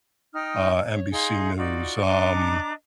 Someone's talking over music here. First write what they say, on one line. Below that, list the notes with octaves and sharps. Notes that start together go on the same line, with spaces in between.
uh, NBC News, um,
D#4 G5 D#6 F6
C#5
D#4 G#4 F5 C6
D#4 F4 F#4 D5
D4 D#5 A#5 D6